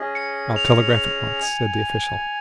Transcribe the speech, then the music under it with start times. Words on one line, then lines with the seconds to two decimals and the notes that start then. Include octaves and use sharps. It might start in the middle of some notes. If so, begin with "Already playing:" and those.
"I'll telegraph at once," said the official.
Already playing: C#4 G#4 D#5
0.15 C#7
0.56 F7
1.40 G#5